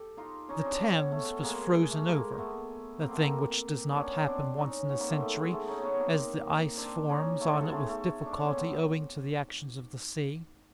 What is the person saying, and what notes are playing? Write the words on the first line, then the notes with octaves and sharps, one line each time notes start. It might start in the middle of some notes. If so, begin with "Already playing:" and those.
The Thames was frozen over--a thing which does not happen once in a century, as the ice forms on it with difficulty owing to the action of the sea.
Already playing: G4 A4
D#4 F4
C#4 D#4
C4 D4
B3 C#4
A3 B3
G#3 A#3
G#3
A3
G#3 A#3
A3 B3
A#3 C4
A3 B3
A#3 C4
B3 C#4 D4
C4 D4
C#4 D#4
B3 C#4
A#3 C4
A3 B3
A3
G#3
A3
C#4 D#4
B3 C#4
A#3 C4
C4 D4
C#4 D#4
A3 B3
A3
G#3
A3
A3
D4
C#4
C4
B3